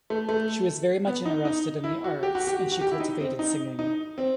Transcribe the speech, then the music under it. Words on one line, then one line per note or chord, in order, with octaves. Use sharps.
She was very much interested in the arts and she cultivated singing.
A3
A3
B3
D#4
D#4
E4
F#4
G4
F#4
G4
F#4
G4
E4
D#4
C4
D#4
D#4
C4